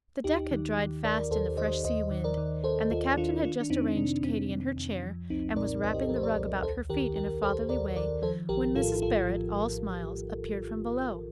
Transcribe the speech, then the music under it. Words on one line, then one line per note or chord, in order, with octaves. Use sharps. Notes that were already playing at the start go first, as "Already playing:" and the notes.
The deck had dried fast in the fresh sea-wind, and the Captain had just arranged Katy in her chair, and was wrapping the rug about her feet in a fatherly way, when Mrs. Barrett, all smiles, appeared from below.
D#2 D#4 G4
D#3
D#3
D#2 A#4 D5
D#2 A4 C5
D#3 C5 D#5
D#2 C5 D#5
D#3
A#4 D5
D#3
D#2 A4 C5
D#2 F4 A4
D#3 D4 F4
D#3 D4 F4
D4
F2 C4 D#4
C3 D4
F2 C4
D#3
F2
F3
C2 C4 D#4
A#2 A#4 D5
C2 C5 D#5
G4
A4
F3 A#4
C5
A#4 D5
C2
D#2 A4 C5
D#3 G4 A#4
D#3 G4 A#4
D#2 A4 C5
D#2 A#4 D5
D#3 A#4 D5
F3 A4 C5
A#1 G4 A#4
A2 F4 A4
A#1 F4 A4
F3